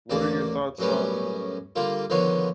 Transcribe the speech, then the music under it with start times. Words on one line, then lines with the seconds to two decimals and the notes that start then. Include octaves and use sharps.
What are your thoughts on
0.10 A1 D#2 A#3 D5 A5
0.79 F#2 A2 G3 B3 C#4
1.76 D3 G3 A#3 F4
2.10 D3 D#3 F3 B3 C#5 C6